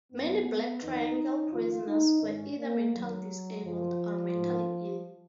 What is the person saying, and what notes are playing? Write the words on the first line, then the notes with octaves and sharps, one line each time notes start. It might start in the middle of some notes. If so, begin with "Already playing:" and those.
Many black triangle prisoners were either mentally disabled or mentally ill.
F#2 D#3 B3
F2 D#3 D#4
F2 D#3 F4
D#4
G#2 D#3 C#4
A#3
F#2 D#3 F#3
F#2 C#3 F3
G#2 D#3